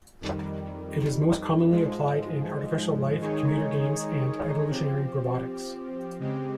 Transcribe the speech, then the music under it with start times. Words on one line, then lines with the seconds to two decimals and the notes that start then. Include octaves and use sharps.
It is most commonly applied in artificial life, computer games, and evolutionary robotics.
0.20 F2 D#3 G3
1.70 G#2 F3 G#3
3.20 D#3 G#3 D#4 G#4 C#5
4.70 F3 C4 G4
6.19 C#3 G#3 C4 G4